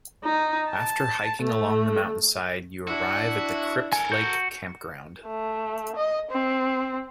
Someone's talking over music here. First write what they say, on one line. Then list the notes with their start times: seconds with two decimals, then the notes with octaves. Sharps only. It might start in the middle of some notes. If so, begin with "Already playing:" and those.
After hiking along the mountain side, you arrive at the Crypt Lake Campground.
0.24 D#4
0.70 A5
1.42 A3
2.88 D4 E4 F#4
3.93 A4 A#4 G#5
4.12 F#4 G6
5.27 A3
5.96 D#5
6.31 C4